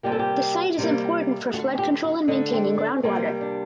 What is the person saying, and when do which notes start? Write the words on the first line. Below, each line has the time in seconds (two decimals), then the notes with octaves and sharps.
The site is important for flood control and maintaining ground water.
0.03 C3 G3 A#3 G4
0.12 A4
0.19 G4
0.78 C3 G3 A#3
1.53 D3 A3 F#4
1.79 G4
2.04 F#4
2.28 D3 A3 D#4
2.53 C4
2.78 D4
3.03 C3 G3 A#3 C4
3.41 D4